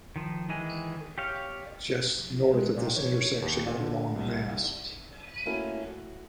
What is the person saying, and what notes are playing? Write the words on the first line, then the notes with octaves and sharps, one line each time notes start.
Just north of this intersection along Mass.
D#3 F3
D#3 E3 G#3 G#5
G4 C#5 F5
G#3
A#2
C#5
C#5
D#2
A#2
D3
C2
A3 A#3 C#4 E4 F#4
F#4